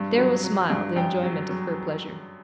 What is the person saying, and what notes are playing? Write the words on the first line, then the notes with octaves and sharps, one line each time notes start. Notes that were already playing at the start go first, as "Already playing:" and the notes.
Darrow smiled in enjoyment of her pleasure.
Already playing: G2
F#3
F#3
G2
F#2 G5
F#3
F#3